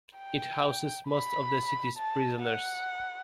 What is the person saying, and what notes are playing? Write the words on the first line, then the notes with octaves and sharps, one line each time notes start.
It houses most of the city's prisoners.
G5
B5
A5
F#5